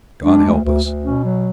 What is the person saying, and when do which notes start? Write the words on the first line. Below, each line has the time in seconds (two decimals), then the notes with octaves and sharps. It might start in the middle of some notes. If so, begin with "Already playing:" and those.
God help us!
0.25 G#3 D4
0.45 D2
0.65 D2
0.84 D2
1.05 B2 C#4
1.25 F#3